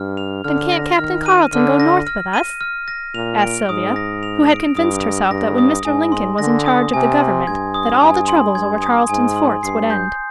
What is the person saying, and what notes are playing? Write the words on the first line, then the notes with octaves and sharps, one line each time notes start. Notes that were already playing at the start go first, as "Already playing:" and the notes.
"Then can't Captain Carleton go north with us?" asked Sylvia, who had convinced herself that when Mr. Lincoln was in charge of the Government that all the troubles over Charleston's forts would end.
Already playing: G2 F6
F7
D3 F6
A#6
D#3 F6
D#7
D3 F6
A#6
F6
D#7
F6
A#6
A#2 F7
D7
G#2 D#6
A#6
F7
D7
G2 D#6
A#6
G2 A#6
D#6
G#2 G#5
C6
D3 A#6
D#6
C3 G#5
C6
G2 G#6
D#6
G2 G#5
C6
G2 G#6
D#6
G#2 G#5
C6
G2 C7
G6